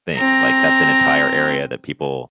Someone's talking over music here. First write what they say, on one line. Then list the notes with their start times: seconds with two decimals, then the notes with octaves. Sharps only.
thing, like, that's an entire area that people
0.16 C4 A#5